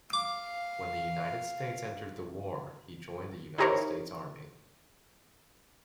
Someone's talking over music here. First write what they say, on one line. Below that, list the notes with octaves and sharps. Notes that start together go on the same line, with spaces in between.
When the United States entered the war he joined the United States Army.
F5 D6
D#4 E4 G4 A#4 C5 C#5